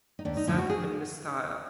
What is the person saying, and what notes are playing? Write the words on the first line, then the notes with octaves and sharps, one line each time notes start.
Set in Mystara.
D#4
D#2 D4
D#4
D3 F3 E4
F4
F#4
G#4